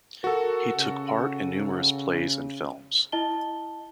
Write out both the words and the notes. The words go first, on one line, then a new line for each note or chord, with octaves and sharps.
He took part in numerous plays and films.
F#4 A4 A#4
C#3
E4 D#5 A5 G7